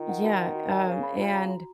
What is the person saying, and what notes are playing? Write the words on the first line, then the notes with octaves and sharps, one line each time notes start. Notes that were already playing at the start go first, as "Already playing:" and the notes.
Yeah, um, and
Already playing: D#3 F4
F#5
F#4
F#5
F#4
G#5
C#3 A#4
B5
C#3 F4
A#5
F#4